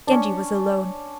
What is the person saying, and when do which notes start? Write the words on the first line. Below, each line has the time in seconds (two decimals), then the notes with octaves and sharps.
Genji was alone.
0.07 C#4 D4